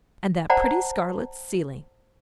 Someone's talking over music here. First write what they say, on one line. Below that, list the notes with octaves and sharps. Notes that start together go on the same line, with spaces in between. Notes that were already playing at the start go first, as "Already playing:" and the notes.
And that pretty scarlet ceiling.
C5 D5 F#5 A5 A#5